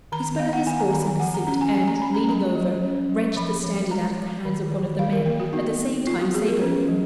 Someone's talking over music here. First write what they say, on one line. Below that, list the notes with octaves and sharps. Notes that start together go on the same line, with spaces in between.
He spurred his horse in pursuit, and, leaning over, wrenched the standard out of the hands of one of the men, at the same time sabering him.
D#3 A#5
B3 F5
F#5
D#3 G#5
A#5
D#3 A#5
G#5
F3 F#5
A#5
C#4 A#5
G#5
F3 G#5
A#5
C#4 B5
A#5
F#3 A#5
F#3
C#4
F#3
F3 B5
F3
G#3 A#5
F3
D#3
D#3
D#3 F5
A#4
A#3 A#4
F#4
B3 D#4
B3
B3 F4
F#4
B3 G#4
A#4
C#4 B4
F#3